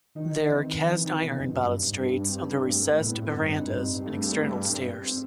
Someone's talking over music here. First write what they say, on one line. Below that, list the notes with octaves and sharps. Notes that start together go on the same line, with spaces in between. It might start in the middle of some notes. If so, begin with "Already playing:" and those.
There are cast iron balustrades on the recessed verandahs and external stairs.
D#3 D#4
E3
C4
D#3
E3
D#3
B2
F#2
G2
G2
C4
C4
A3
A3
A2 B3
C4
G2 D#4
C4
D#4
G2 C4
A3
A3
G3
C4